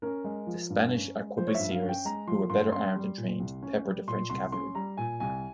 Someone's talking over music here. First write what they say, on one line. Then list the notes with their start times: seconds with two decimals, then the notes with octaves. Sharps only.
The Spanish arquebusiers, who were better armed and trained, peppered the French cavalry.
0.02 C#4 A#4
0.24 G#3
0.47 F3
0.70 G2
0.92 C#4
1.15 G#3
1.37 F3 C5
1.47 C#5
1.54 G2 E5
1.71 F5
1.82 C#4
1.89 G5
2.05 G#3 A#5
2.27 F3 C6
2.50 G2 C6
2.72 C#4 C6
2.95 G3
3.18 A#2
3.40 C2
3.63 C#4
3.85 G3
4.08 A#2 C6
4.30 C2 C6
4.52 C#4 C6
4.75 G3 A#5
4.97 A#2 G#5
5.20 C2 G#5